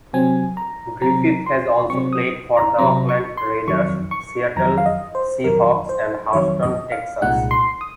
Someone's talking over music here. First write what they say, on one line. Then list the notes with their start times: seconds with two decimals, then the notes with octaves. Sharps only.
Griffith has also played for the Oakland Raiders, Seattle Seahawks and Houston Texans.
0.14 C3 F#3 C4 G#5
0.57 A#5
1.01 C3 F#3 C4 A#5
1.46 C6
1.90 C3 F#3 C4 C#6
2.13 D#6
2.57 A#5
2.78 C3 F#3 C4 A#5
3.09 C#6
3.37 C6
3.67 F2 D#3 F#3 C#6
4.11 C#6
4.56 F2 D#3 F#3 A#5
4.78 F5
4.86 D#5
5.15 C5
5.44 F2 D#3 F#3 A#4
5.89 C5
6.33 F2 D#3 F#3 C#5
6.63 D#5
6.92 F5
7.22 C2 A#2 G#3 D#4 F#5
7.51 C6
7.81 D#6